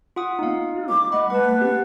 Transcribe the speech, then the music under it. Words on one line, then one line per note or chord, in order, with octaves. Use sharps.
Me too. Mhm.
F4 F#5 D#6
D#4 F5
D6
A3 D#5 F#5 B5
B4 F#5 A5
G4 F#5